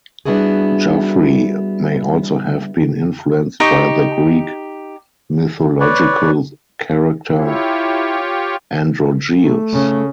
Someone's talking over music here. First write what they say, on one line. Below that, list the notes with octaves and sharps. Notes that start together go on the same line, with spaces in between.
Geoffrey may also have been influenced by the Greek mythological character Androgeus.
G3 B3 D4 E4 F#4 G#4
D#4 G4 C#6 D#6
B4 C#5 D5
E4 F4 G4 C#5
A3
C#3